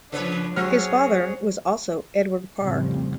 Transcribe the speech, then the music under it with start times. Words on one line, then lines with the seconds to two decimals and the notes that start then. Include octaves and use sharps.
His father was also Edward Parr.
0.12 C#3 F3 D4 B4 C#5
0.56 F#3 C4 G#4 C#5 F6
2.60 F2 A2 C#3 F3 G3 C4